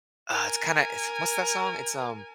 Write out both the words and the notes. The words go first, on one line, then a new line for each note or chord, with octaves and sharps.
Uh, it's kinda it's what's that song? It's, um,
A#4 G#5